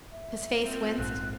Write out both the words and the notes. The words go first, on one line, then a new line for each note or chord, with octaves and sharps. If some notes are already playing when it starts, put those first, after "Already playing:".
His face winced.
E5
C4 F4
A#1 G#2 F#6